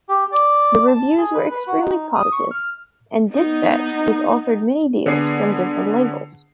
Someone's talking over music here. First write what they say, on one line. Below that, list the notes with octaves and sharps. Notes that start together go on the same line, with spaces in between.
The reviews were extremely positive and Dispatched was offered many deals from different labels.
G4
D5
A5
G#4
B4
B4
F#4
D#4
D#6
C#6
F6
B3 D#4
D3 B3 G#4 C7